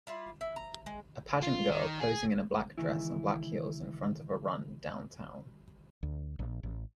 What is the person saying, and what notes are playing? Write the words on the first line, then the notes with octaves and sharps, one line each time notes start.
A pageant girl posing in a black dress and black heels in front of a run downtown.
G3 E4 F4
E4
A#5
G#3
F4
D#3
G#4
C#2 G2 D#3 E3 E4
D2
A#1
A1